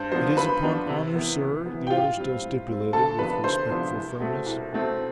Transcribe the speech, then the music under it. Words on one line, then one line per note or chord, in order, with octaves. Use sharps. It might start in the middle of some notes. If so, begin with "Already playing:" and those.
'It is upon honour, sir?' the other still stipulated, with respectful firmness.
Already playing: G2 C5
F3 B3 D4 C5
G2 B4 B5
F3 B3 D4
C3
E3 B3
C3
E3 B3
G5
A2 F4 F5
G3 C4
A2
G3 C4
D2 A4 A5
C3 F3 B3 D4 B4 B5
D2 C5 C6
C3 F3 B3 D4
C2
B2 A3 C4
C2
B2 A3 C4